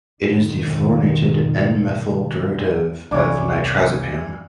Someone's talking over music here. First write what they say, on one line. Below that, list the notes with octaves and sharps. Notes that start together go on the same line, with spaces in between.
It is the fluorinated "N"-methyl derivative of nitrazepam.
F2 G#2 B2 D3 D#3
C2 C3 E3 D4 C#5 D6